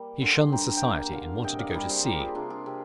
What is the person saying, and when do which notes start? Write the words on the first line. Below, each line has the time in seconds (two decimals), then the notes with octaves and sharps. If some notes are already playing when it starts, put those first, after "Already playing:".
He shunned society and wanted to go to sea.
Already playing: G3 A#3
0.22 D3 G#5 C6
0.52 G3 G5 A#5
0.77 G5
0.82 A#3 F5 G#5
1.13 D3 F5 G#5
1.43 C3 D#5 G5
1.59 D5 F5
1.68 D#5
1.74 G3 A#4 D5
1.90 G#4 C5
2.05 A#3 G4 A#4
2.20 F4 G#4
2.35 C3 D4 F4
2.50 F4 G#4
2.66 C3